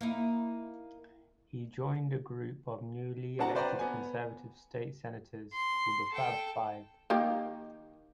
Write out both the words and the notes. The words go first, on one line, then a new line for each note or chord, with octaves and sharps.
He joined a group of newly elected conservative State Senators called the "Fab Five".
A#3 D#4 E4
C4 D4 F#4 F#5 A5 A#5
B4 C5 D5 G5 A#5 C6
B3 G#5
C6
A4 G5
D#3 A#3 G4